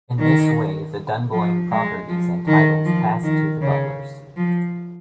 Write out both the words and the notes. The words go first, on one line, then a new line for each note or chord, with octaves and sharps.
In this way, the Dunboyne properties and titles passed to the Butlers.
D#3
F3
G#3
F3
D#3
F3
D#3
C#3
F3